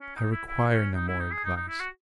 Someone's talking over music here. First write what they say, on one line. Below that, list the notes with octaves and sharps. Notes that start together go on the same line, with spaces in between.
"I require no more advice."
C#4
D#4
E4
E4
C#4
D#4
E4
D#4
G#4
D#4
D#4
E4
F#4